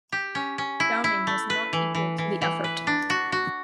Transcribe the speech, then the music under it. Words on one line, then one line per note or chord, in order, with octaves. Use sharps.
Downing was not equal to the effort.
G4
C#4
C#4
E4
E4
A3
B4
E3
E3
E3
E3
B4
D4
F#4
F#4